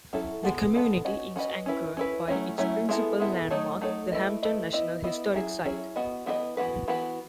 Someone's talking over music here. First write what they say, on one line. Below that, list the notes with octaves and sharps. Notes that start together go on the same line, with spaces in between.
The community is anchored by its principal landmark, the Hampton National Historic Site.
F#3 C#4 E4 A4
E3 G#3 B3 F#4 A4
E3 G#3 B3 F#4 A4
C#4 F#4 B4 D#5
C#4 F#4 B4 D#5
C#4 E4 B4
C#4 E4 B4
F#3 A3 C#4 E4
F#3 A3 C#4 E4
G#3 B3 E4 A4
G#3 B3 E4 A4
F#3 A3 D#4 A4 C#5
F#3 A3 D#4 A4 C#5
A3 E4 B4 D#5
A3 E4 B4 D#5
B3 E4 B4 D#5
B3 E4 B4 D#5
F#3 C#4 E4 G#4
F#3 C#4 E4 G#4
E3 B3 F#4 B4 D#5
E3 B3 F#4 B4 D#5
E3 B3 F#4 B4
E3 B3 F#4 B4